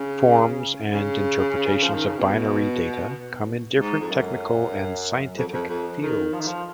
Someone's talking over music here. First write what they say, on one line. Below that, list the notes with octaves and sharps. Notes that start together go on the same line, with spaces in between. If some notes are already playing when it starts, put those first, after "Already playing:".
Forms and interpretations of binary data come in different technical and scientific fields.
Already playing: C#3
C#3
F3
D#3
C#3
B2
G#2
F2
F#2
F2
F2
F2
D#3
F3
D#3
F3